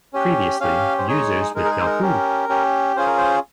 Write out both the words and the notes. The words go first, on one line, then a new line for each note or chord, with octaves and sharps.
Previously, users with Yahoo!
C#4 G4
C#4 G4 F5
C5
G#3 D#4 G#4 C#5
G#3 D#4 G#4 A#4
A#4
G#4
C5
A#4
C#4 G4
C#4 G4
C#4 F4 G#4 C5
A#4
C5